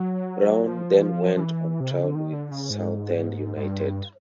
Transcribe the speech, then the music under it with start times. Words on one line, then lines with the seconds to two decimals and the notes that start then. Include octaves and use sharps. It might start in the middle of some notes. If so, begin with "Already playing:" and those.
Brown then went on trial with Southend United.
Already playing: F#3
0.66 F3
0.98 E3
1.03 F3
1.37 F3
1.40 E3
1.80 C3
1.91 C#3
2.03 D3
2.15 D#3
2.32 D3
2.51 C#3
2.70 G#2
3.57 G#2
3.63 G2